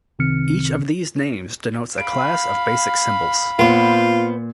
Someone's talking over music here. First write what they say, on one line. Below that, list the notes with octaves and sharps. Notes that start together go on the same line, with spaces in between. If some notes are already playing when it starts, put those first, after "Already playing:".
Each of these names denotes a class of basic symbols.
C2 C3 D#3 C4 F6 C#7
F5 B5 D7
A#2 B3 F4 C5